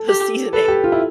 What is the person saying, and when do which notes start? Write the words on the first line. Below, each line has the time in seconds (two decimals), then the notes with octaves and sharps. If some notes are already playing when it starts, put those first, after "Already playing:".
the seasoning.
Already playing: A4
0.08 G4
0.53 A4 B4
0.68 G4
0.84 F4
0.92 E4